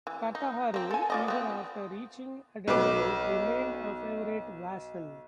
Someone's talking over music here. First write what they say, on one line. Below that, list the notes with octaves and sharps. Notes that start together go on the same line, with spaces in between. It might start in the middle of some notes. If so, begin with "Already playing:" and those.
Kataharu, even after reaching adulthood, remained a favorite vassal.
E3
D#4
A#3 C4
A4 G#5
F4 D5 D#5
B3 C4
B1 B4 D6